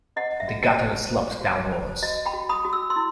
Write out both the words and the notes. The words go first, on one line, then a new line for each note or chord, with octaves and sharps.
The gutter sloped downwards.
C5 D#5 F#5
E5
F#4
D#5
C5
C5
F#4
C5
F#4 D#5
G5 B5
F#4
B5 D#6
F#4
E6
C6 E6
E4